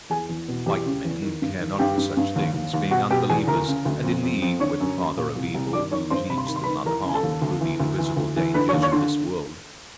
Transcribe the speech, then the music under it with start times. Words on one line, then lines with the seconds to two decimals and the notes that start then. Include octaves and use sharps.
White men care not for such things, being unbelievers and in league with the Father of Evil, who leads them unharmed through the invisible dangers of this world.
0.10 E2 G#4 G#5
0.29 E2
0.48 B2
0.66 E2 G4 G5
0.86 C#3
1.05 E2
1.22 D#3
1.42 G2
1.60 D#3
1.79 G2 G4 G5
1.97 G2
2.17 G2
2.36 D#2
2.54 D#2
2.74 D#2
2.91 B2 F#4 F#5
3.10 B2 G4 G5
3.30 E2 G#4 G#5
3.47 D2 A#4 A#5
3.67 C#3
3.85 D2
4.04 F2
4.23 F2
4.42 F2
4.60 D3 C#5 C#6
4.80 F#2
4.98 F#2
5.17 A#2
5.35 C2
5.54 C2
5.73 D#3 D5 D6
5.91 D#3 C#5 C#6
6.10 G2 C5 C6
6.29 C3 B5
6.38 C6
6.47 D#3 B5
6.56 C6
6.64 B4 B5
6.68 D#3
6.85 E3 A#4 A#5
7.04 C#3 G#5
7.14 A4 A5
7.23 D#2
7.42 D2
7.61 E3
7.80 D2
7.98 E3
8.17 D2
8.37 E3
8.54 D3 B4 B5
8.69 C#5 C#6
8.73 D#2
8.82 C#5 C#6
8.92 D3 C6